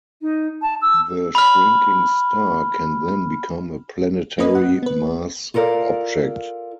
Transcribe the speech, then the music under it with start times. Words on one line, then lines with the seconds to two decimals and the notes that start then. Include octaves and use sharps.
The shrinking star can then become a planetary-mass object.
0.21 D#4
0.62 A5
0.81 E6
1.35 B5 F6
4.38 A#3 C#4 B4 D#5
4.55 F#2 F#5
4.83 B3 B4
5.54 F4 A4 A#4 D5 F5